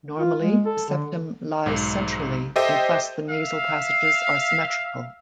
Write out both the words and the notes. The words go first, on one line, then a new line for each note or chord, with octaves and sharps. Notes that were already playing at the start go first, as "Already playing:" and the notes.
Normally, the septum lies centrally, and thus the nasal passages are symmetrical.
F4
G#3
A4
D3
B1 G#2
G4 A4 C5 D#5 E5 G5
E5 F5